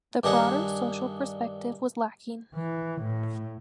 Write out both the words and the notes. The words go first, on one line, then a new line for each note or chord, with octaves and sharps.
The broader social perspective was lacking.
G2 D#3 D4 G#4 F#5
E3
A2